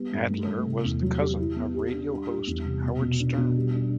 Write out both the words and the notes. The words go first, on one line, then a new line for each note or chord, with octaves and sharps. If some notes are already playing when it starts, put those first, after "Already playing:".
Adler was the cousin of radio host Howard Stern.
Already playing: G3 B3
G2
A3
A3
C3
E2
F#3
G4
E4
B3
G4
D4
G3
G3
E2
C3
B2
B2
D4
B2
G3
D4